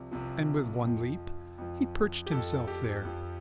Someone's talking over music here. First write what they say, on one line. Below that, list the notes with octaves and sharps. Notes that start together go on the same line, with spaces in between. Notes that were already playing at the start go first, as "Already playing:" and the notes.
And with one leap, he perched himself there.
Already playing: C2 C3 F3
C2 C3 F3
F2 F3
F2 F3
G4
F2 F3 A4
G4
F2 F3